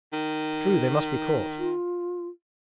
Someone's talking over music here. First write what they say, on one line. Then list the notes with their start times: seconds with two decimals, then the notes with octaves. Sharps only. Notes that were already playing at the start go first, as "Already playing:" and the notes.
'True, they must be caught!'
0.13 D#3
1.59 F4